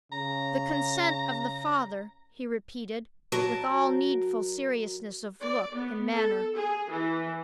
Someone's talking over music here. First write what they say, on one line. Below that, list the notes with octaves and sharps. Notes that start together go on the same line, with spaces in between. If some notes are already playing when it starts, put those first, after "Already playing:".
"The consent of the father," he repeated, with all needful seriousness of look and manner.
C#3 A#5
F#3 A#4 A5 A#5
D5
B3
A4
G#4
E3